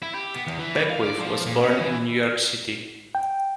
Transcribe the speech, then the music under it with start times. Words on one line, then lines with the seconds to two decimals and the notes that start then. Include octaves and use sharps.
Beckwith was born in New York City.
0.03 E4
0.15 G4
0.35 B3
0.47 E2
0.59 E3
0.90 F5
1.03 D5
1.20 F3
1.46 A#2
1.64 C#4
1.80 E3
3.15 G5